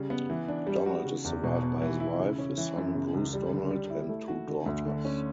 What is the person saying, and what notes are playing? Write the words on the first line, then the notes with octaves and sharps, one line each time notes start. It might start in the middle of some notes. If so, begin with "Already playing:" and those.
Donald is survived by his wife, his son Bruce Donald and two daughters.
Already playing: C#3 G3
B3
E3
D4
G3
F#4
C#3
E2
B2
B3
E3
E4
C#3
C#4
E3
F#2
C#3
C#2
G3
D3
G3
E4
A3
F#4
D3
D2
D3
C#4